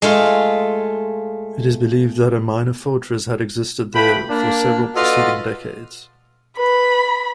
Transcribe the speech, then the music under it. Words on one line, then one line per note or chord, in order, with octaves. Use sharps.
It is believed that a minor fortress had existed there for several preceding decades.
G#3 A3 F4
A3 F4 B4 G5 B5
A#3 D4
F4 F#4 A4 B4 D5 D#5
B4 B5